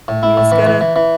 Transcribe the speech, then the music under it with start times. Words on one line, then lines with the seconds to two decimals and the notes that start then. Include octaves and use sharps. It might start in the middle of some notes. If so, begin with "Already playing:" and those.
you just gotta
0.08 A2
0.23 E4
0.37 A2
0.52 E3
0.66 E3
0.81 E3
0.96 E3